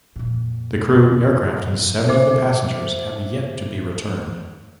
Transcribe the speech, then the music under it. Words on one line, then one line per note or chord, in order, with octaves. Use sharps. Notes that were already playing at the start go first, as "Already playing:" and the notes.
The crew, aircraft, and seven of the passengers have yet to be returned.
F2 A#2
C5 E5 D6